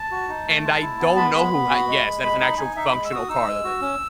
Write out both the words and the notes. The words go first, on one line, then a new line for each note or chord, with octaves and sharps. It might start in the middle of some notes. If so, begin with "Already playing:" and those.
and I don't know who h Yes, that is an actual functional car that they made.
Already playing: A5
F#4
D#4
A3
G#3
E4
B3
G#3 B5
B3
B3
F#4
G#3
G#3
G#3 B5
D#4 B5
D#4 G#5
D#4 E5
B5
G#3
E6
F#4 D#6
D#4 E6
G#3
F#4
C#4